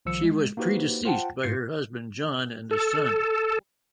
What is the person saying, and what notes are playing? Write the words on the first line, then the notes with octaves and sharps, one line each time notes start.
She was predeceased by her husband John and a son.
C2 D#3 F3 E6 C#7
G#3
A#3 D#4 F#4 G4 B4 C5
F4 C5 F#5 G5 A5
G#2 F4 G6 C7 C#7
A4